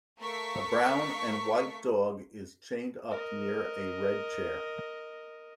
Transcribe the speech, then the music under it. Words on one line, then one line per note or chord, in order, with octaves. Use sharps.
A brown and white dog is chained up near a red chair.
A3 A4 A#4 F5 C#6 B6
A#4 D#5